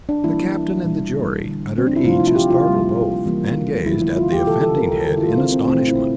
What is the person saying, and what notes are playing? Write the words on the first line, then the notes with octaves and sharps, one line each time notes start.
The captain and the jury uttered each a startled oath, and gazed at the offending head in astonishment.
D4
E3 G3 A#3 E4
A#2 G3 A#3
D3 G3 A#3
C4
D4
E4
C3 F3 A3 F4
E4
F4
G4
F4
C3 G3 A#3
E3 G3 A#3
D3 F3 A3 E4
E4
F4
G4
C3 E3 A#3 A4
A4
A#4
A4
D3 G3 A#3 A4
E4
F4
C4
C4
A#2 A3 C4
E4